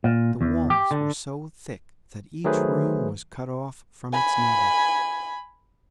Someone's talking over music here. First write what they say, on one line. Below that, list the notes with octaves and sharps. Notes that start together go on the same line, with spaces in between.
The walls were so thick that each room was cut off from its neighbour.
A#2
E2
G4
D3
D#3 F#3 A3 G#4 B4 C5
G#5 B5